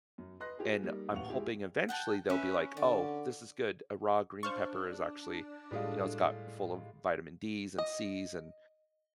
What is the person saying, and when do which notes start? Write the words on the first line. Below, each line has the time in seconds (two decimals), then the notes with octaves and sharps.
and I'm hoping eventually they'll be, like, "Oh, this is good." A raw green pepper is actually, you know, it's got full of vitamin D's and C's and,
0.18 F#2
0.40 B4 D#5 C6 F#6 A#6
0.58 F4 G4 G#4 B4
0.84 G3 A#3 D#4
1.12 D#1 A1 F5 F#5 C#6 F7
1.29 G#3 E4 G4 G#4
1.89 F#5 G5 A5
2.30 C#4 B4 E5
2.77 D3 D5
4.43 D4 C5 F5 C#6
5.71 A2 G3 G#3 F4 D#5
7.78 D#5